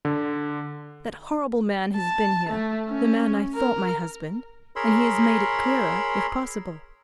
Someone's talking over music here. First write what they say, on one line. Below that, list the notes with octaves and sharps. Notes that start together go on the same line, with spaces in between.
That horrible man has been here--the man I thought my husband--and he has made it clearer, if possible.
D3
A5
A3
C#4
A#4
G#4 A#4 C#5 B5 C6 E6